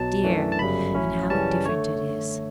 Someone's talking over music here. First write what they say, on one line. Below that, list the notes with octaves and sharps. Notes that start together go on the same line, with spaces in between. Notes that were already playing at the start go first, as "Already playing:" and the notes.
Dear! and how different it is!
Already playing: B1 B2 F#3 A5
F#2 E3 A3 D4
A5
G1 F#2 C#3 G3 B5
A1 A2 F#3 C#4 E4
F#2 C#3 E3 G3 C#4 A5
D3 A3 C#5